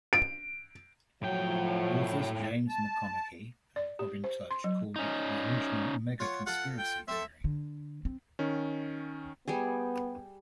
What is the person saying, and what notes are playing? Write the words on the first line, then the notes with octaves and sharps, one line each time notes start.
Authors James McConnachie and Robin Tudge called it the original mega-conspiracy theory.
D7
A2 F3 F#3 G5
A5
D5
G4
C5
C6
F#3
C#4 D#4
F4 C#5 F#5
F4 A4 F#5
G5
C4 A4 E5
D3
C4
D#3 C#4
G3 B3 G4 G#4